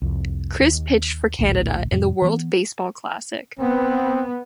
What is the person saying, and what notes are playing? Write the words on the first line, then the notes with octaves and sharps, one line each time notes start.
Chris pitched for Canada in the World Baseball Classic.
C2 F2
D#2
A1 D2 A#2
F2 A2 C3 F3
E3 G#3 B3
B3 C4